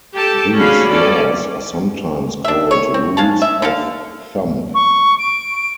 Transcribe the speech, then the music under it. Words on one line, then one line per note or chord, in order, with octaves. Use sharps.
These 'laws' are sometimes called rules of thumb.
G4 A4 G5 A5
C#4 D4 F#4 G#4 F5 B5
C#4 A4 D5
D4 E5
C#5
C4
G#3 F5 A5
E5
D3 A4 F5
C#6
D7